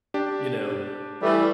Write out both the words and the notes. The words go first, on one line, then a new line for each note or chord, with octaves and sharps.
you know,
D4 G4
E3 G3 A3